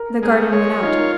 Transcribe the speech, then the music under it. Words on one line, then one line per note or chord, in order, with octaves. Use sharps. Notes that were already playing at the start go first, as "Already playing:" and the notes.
The garden went out.
Already playing: A#4
G#3 A#4
G#4 C#5
D#4 F4
A#4